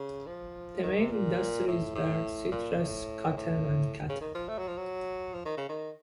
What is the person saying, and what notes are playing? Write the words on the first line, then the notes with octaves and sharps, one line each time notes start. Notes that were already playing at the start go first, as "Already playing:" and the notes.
The main industries were citrus, cotton, and cattle.
Already playing: C#3
F3
D#3
C3
A#2
A2
A2
A#2
A2
A2
C#3
D#3
F3
A3
F#3
F3
F#3
F3
D#3
C#3
D#3